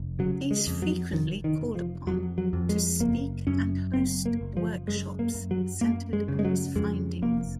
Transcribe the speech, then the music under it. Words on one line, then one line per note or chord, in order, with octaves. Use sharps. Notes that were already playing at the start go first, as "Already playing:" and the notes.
He is frequently called upon to speak and host workshops centered on his findings.
Already playing: F1
C#3 F#3
G#3
F2
F#3
F1 D#3
D#3
F1
F3
F2 F#3
F#3
F2
G#3
F#1 A#3
F#2 C#4
F#1 C4
A#3
F#1
F3
F#2 G#3
A#3
F#2
F#3
F#2 A#3
G#3
C#3
G#3
F#3
F2 G#3
F1 A#3